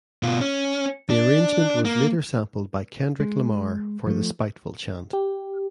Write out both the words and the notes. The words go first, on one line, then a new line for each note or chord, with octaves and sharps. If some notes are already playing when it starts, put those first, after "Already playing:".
The arrangement was later sampled by Kendrick Lamar for The Spiteful Chant.
B2 F4
C#4
D4
A#3
G#3
F3 A3
G4